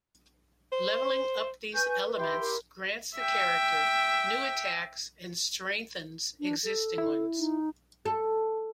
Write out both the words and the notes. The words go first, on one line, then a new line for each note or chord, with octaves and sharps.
Leveling up these elements grants the character new attacks and strengthens existing ones.
C5
B4 G#5 C#6 G6
E4 G4 C6
A#4
E5 G5
D4
A4
E4
D#4
A4